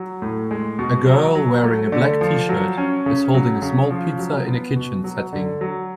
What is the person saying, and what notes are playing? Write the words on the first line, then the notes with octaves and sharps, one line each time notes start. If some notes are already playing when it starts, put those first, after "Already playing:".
A girl wearing a black tshirt is holding a small pizza in a kitchen setting.
Already playing: F#3
A2
G#3
B2
F#3
F#3
A3
D3
F3
F#3
C#4
C#3
F#3
C#3
F3
F#3
B3
B2
F#3
D3
F#3